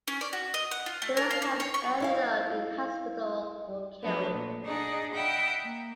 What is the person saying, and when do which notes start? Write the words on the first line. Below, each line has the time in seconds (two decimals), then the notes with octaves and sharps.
The rest have ended up in the hospital or killed.
0.08 C#4
0.21 D5
0.33 F#4
0.54 D#5
0.71 F#5
0.86 F4
1.02 A3
1.17 A#4
1.30 F5
1.42 A#3
1.60 C#5
1.74 C#6
2.00 D#4 E4 F5
4.03 F3 F#3 A3 B3 D4
4.34 A#2
4.64 D4 D#4 G#4 D5 D#5 F#5
5.14 D#5 E5 F#5 G5 B5
5.63 A#3